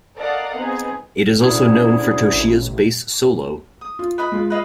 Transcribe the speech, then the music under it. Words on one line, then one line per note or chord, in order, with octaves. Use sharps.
It is also known for Toshiya's bass solo.
A4 A#4 D5 D#5 F5 F#5
B3 C4 D#4 G#4
D2 C#4 E4 F#4 G#4
A1
D#6
F4
B4 D#5 B5
G#3 F4
B4 D#5 F5